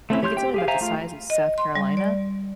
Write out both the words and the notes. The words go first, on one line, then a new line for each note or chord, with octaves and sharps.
I think it's only about the size of South Carolina,
A3 C4 C#4 E4
G4 C#5 C6 F6 G6
G4 G5
G4 G#4 F5
C5 E5 F5 G#5 A#5
A3 F4 F5
D#5
C6
G3
D5